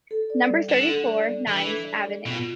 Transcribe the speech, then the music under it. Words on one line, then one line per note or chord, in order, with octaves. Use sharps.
Number thirty-four, Nîmes avenue.
A4
D5
G3
D3 D4
A4
D5
G3
E3 D4
A4
D5
G3
B2 F4